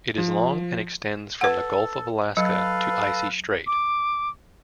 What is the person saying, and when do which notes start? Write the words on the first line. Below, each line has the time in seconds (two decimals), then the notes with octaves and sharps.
It is long and extends from the Gulf of Alaska to Icy Strait.
0.18 F3
1.41 A4 B4 F#5
2.37 F#3 A4 B4 F5
3.67 D6